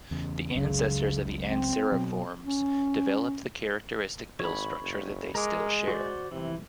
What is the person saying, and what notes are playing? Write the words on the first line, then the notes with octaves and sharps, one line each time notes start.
The ancestors of the Anseriformes developed the characteristic bill structure that they still share.
E2 C#3
F#1 C#2 F#2 C#3
C4
B2 F#3
C#4
G#1 C#5 B5
F#1
G#3 A#4 D6
F#4 C5 D5
C3 E3